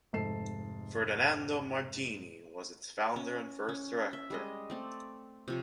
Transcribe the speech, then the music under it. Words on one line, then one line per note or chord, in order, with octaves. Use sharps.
Ferdinando Martini was its founder and first director.
F1 G#2 A4 A5 C7 E7
C#4
C#4
E5
G3 G#3 D#5
A3 C4 D5
C3 F3 C#5